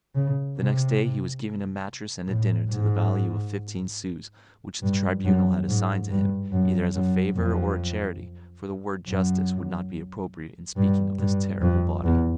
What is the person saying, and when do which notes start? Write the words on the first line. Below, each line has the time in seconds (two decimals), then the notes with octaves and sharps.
The next day he was given a mattress and a dinner to the value of fifteen sous, which the Tribunal had assigned to him, either as a favour or a charity, for the word justice would not be appropriate in speaking of this terrible body.
0.15 C#3
0.58 C3
2.27 A2
2.70 G#2
4.82 G2
5.25 F#2
5.68 G#2
6.11 G2
6.52 F#2
6.95 F#2
7.37 F2
9.07 F#2
10.77 G2
11.19 G2
11.62 F2
12.04 E2